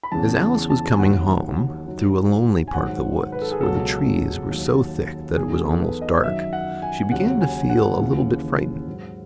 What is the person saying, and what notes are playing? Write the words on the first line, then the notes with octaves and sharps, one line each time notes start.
As Alice was coming home, through a lonely part of the woods, where the trees were so thick that it was almost dark, she began to feel a little bit frightened.
B5
E2 C#3 E3 A5
A5
A5
G#5
D#2 D#3 F#3 F#5
F#2 D#3 F#3
G#5
G#2 D#3 F#3 F#5
B4
A4
G#4
C#2 B2 F#3 A4
D#2 D#3 F#3
E2 D#3 F#3 G#4
A4
A4
B4
D#5
F#2 D#3 F#3 E5
F#5
G#5
D#2 C#3 F#3 F#5
G#5
F#5
D#2 C#3 E3
G#2 F#3